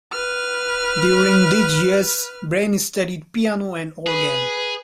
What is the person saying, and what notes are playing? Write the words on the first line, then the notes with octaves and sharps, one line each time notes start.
During these years, Brain studied piano and organ.
B4 F6
G#4 B4